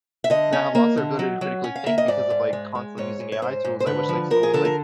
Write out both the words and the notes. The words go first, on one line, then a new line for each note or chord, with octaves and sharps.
that have lost their ability to critically think because of, like, constantly using AI tools. I wish, like, schools, like,
E5
D3 D#5
C#4
A#3
D3
F#3
F#3
C#4
F5
A#3 E5
D#5
G#2 D5
G#2
G#3
G#3
G#2 C#5
G#2
C#5
G#2 C5
G#2
C5
D3 B4
F3
F3 A#4
G#4
D3 A4
A#4